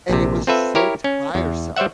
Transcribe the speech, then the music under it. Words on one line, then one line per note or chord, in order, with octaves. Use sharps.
And it was so tiresome,
A#1 C3
C4 F4 A4 B4 E5
E4 G4 A#4 C#5
C#4
E2
G3 C5 C#5 E5 F#5